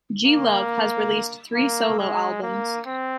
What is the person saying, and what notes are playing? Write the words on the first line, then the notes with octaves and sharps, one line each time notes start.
G. Love has released three solo albums.
A#3
A#3
G#3
A#3
C4